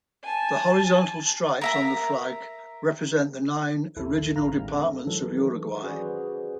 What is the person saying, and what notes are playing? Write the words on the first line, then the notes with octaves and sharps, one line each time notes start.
The horizontal stripes on the flag represent the nine original departments of Uruguay.
G#5 A5
A#4 E5 A#5
A#1 D#2 E4 A4
A1 A2 D#3 F5 A#5
G#3 C4 D4
A4
D#3 E3 F#3 G#3 A4
C#4 F#4 G#4 B4 C5 D5